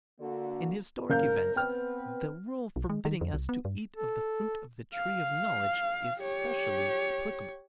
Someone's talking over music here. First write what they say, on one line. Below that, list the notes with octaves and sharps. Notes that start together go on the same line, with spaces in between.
In historic events the rule forbidding us to eat of the fruit of the Tree of Knowledge is specially applicable.
D3 A#3 F#4
F#1 A#4 F5 G6
B3 C4 B4 G5 F6
B1
G#3
D#3
F2
C2
B3
G2
A4
F5
G4 C#5